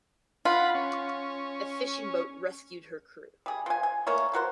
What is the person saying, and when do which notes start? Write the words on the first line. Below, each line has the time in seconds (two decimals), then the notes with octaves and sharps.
A fishing boat rescued her crew.
0.45 F4 F#5 B5
0.74 C#4
3.46 G3 G#4
3.66 F3 G#5
3.83 G#5
4.07 A3 A#3 C#5 D#5
4.33 F3 F#4 A#4 C5